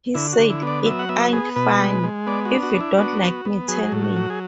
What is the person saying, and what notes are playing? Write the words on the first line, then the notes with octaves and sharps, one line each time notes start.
He said, It ain't funny...if you don't like me, tell me.
D3 E4
F#4
D3
E4
B3 D5
F#3 E5
F#5
B3 E5
B3 G#4
B2 B4
G#3
G#3
B3 D5
F#4
D4
F#4
D4
E4
B3 F#4
B3
B3
F#3 G#4
A2
F#4
F#3
G#4